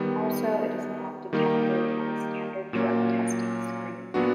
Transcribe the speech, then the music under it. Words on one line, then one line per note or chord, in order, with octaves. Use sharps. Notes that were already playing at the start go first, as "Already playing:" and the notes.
Also it is not detected on standard drug testing screens.
Already playing: D#3 G3 B3
D#3 G3 A#3 D#4 G4
A#2 F#3 A#3 C#4
A#2 F#3 B3 D4 F#4